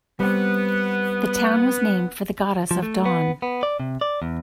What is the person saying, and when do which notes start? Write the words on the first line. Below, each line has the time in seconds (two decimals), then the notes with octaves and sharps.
The town was named for the goddess of dawn.
0.20 G3 B3 C4
2.71 F3
2.83 A3
3.05 B3
3.42 B3
3.63 D5
3.80 C3
4.01 D5
4.22 E2